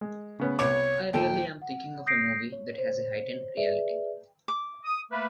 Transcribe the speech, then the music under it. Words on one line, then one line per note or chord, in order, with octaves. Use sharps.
I really am thinking of a movie that has a heightened reality.
G#3
C#3 B3 C#4
C2 B3 C#5 D6
D#2 A#2 A4 G5
F#5
D#6 G6 A#6 C7 D7
C#5
C5 C#5
G#4 B4 D5 E5
D6
D#6
A3 A#3 B4